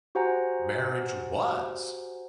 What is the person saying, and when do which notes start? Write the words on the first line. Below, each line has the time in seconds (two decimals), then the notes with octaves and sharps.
marriage was,
0.15 F#4 G4 C5 F#5 G#5 A#5